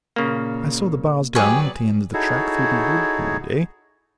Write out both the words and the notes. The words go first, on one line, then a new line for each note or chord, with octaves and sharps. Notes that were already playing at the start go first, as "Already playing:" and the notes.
I saw the bars down, at the end of the track through the wood, one day.
A#2 C#3 A#3
F#3 G4 G#4 B4 C#5 D5
D#4 E4 F#4 G#4 A4 C#5